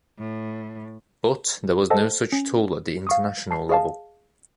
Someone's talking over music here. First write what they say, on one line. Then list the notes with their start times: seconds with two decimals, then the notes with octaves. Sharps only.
But, there was no such tool at the international level.
0.19 A2
1.90 A4 C5 D#5 F#5 A5
2.32 C#4
3.07 F5 C#6 D#6
3.51 A5 C7
3.69 G#4 D#5 F5 A5